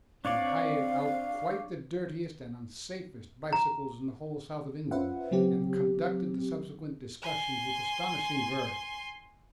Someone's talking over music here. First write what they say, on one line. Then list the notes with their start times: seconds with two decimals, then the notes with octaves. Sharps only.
He hired out quite the dirtiest and unsafest bicycles in the whole south of England, and conducted the subsequent discussions with astonishing verve.
0.25 C4 D4 C#5 D5 F5
3.53 A#5
4.91 C#4 F4 B4 C5 E5 F#5
5.31 C#3 F#3 C4 G4
7.22 G#5 C6